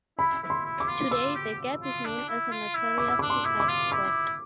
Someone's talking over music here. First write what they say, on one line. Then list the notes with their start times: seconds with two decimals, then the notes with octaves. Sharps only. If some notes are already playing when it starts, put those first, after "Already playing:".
Today, The Gap is known as a notorious suicide spot.
0.18 E4 B5
0.43 E4
0.50 C6
0.65 E4
0.80 D6
0.88 F4
1.11 F4 E6
1.35 G4
1.82 F4
2.06 D4
2.28 E4
2.52 F4
2.75 E4
2.98 E4 D6
3.08 E6
3.19 D6
3.22 D4
3.30 C6
3.45 E4
3.60 D6
3.69 F4
3.92 E4 D6